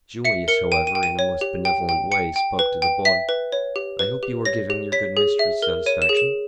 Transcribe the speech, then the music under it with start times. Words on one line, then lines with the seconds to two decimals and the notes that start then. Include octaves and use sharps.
Julius, however, in a most benevolent way spoke to the boy--"I hope you are giving your good mistress satisfaction?"
0.25 E5 C#7
0.48 A#4 C#7
0.72 G5 D#7
0.87 D#7
0.95 G5
1.03 D#7
1.19 C#5
1.41 G4
1.65 G5
1.89 G5
2.11 G5 C#7
2.36 G5
2.59 B4
2.82 G5
3.05 E5 B6
3.29 B4
3.52 C#5
3.76 G4
3.99 B4
4.23 G4
4.45 C#5 A#6
4.70 G4
4.92 C#5 B6
5.17 G#4
5.39 E5
5.62 A#4
5.86 C#5 D#7
6.02 E7
6.09 G#4
6.17 E7